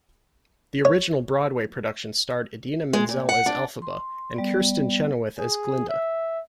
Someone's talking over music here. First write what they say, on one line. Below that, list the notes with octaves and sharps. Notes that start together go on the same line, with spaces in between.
The original Broadway production starred Idina Menzel as Elphaba and Kristin Chenoweth as Glinda.
C#5
G#3
A#2
F#5
D4
C6
G3 B3 D5
G#4
E5